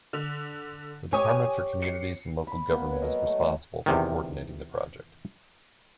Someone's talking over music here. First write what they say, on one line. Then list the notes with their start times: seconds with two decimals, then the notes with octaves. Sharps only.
The Department for Communities and Local Government is responsible for co-ordinating the project.
0.13 D3
1.13 G4 C#5 G#5 D#6
1.82 C7 C#7
2.47 B5
2.71 A#3 B3
2.90 B4 C#5 G#5
3.02 F#3 A4 A#4 D#5
3.26 A3
3.86 E2 C3 D#3